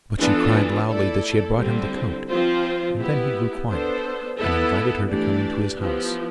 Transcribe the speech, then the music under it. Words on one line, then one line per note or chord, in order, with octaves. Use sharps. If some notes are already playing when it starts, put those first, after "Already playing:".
But she cried loudly that she had brought him the coat, and then he grew quiet, and invited her to come into his house.
E3 B3 D4 F4 A4
A3 E4 A4 D5
D3 G3 C4 E4
F3 C4 F4 C5
B3 E4 G4
B3 D4 A4 C5
B3 E4 A4
E3 A3 D4 G4 D5
F3 B3 E4 G4